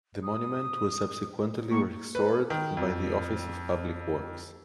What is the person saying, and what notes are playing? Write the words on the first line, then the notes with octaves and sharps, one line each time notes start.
The monument was subsequently restored by the Office of Public Works.
D#6
A2 A#3 C#6
B4
D#3
F2